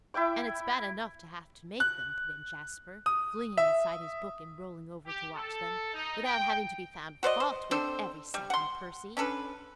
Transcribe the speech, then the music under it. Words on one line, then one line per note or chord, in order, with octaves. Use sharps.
"And it's bad enough to have to make them," put in Jasper, flinging aside his book and rolling over to watch them, "without having to be found fault with every second, Percy."
E4 E5 G5 D6
F#6
D#6
E5
G4
A4
D#4
G5
F#4 C5 D5 D#5
C5
C4 D4 A4 C5
G3
F#5 C6
C#4 D4 A4 B4